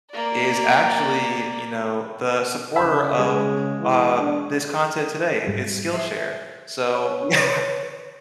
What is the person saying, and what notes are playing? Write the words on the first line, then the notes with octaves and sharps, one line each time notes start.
is actually, you know, the supporter of, uh, this content today, i it's Skillshare, so yeah
A#3 D5
C#3 E5 B5
G#3
E3
D4
G#2 G3
G#4 E5
B4 C#5